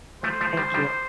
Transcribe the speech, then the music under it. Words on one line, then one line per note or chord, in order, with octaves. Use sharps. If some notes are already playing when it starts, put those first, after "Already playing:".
Thank you.
F3 A3 C5
F3 A3
D#3 G3
D#3 G3